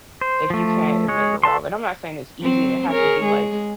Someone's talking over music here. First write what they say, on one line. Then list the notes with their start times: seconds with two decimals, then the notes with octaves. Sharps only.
if you can't admit you're wrong, and I'm not saying it's easy and it has to be like,
0.21 C5
0.50 F3 A3
1.08 G#3 C#5
1.43 A4 B4 A5 C6
2.40 F#3 C4 C5
2.89 G#4 A#4 C#5
3.23 G#3 G#4